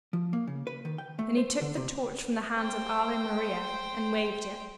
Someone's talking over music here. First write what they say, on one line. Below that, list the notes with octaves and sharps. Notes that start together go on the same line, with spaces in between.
Then he took the torch from the hands of Ave Maria, and waved it.
F3
A#3
C#3
B4
D#3
G5
A3
C5
D3
C3
C5 G5